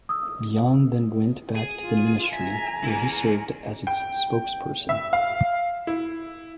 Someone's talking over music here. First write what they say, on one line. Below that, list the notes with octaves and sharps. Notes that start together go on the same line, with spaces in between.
Byeon then went back to the Ministry where he served as its spokesperson.
D#6 E6
G#4
F4
E5 G#5 A#5
E4 G#4
G5
E5
F5
E4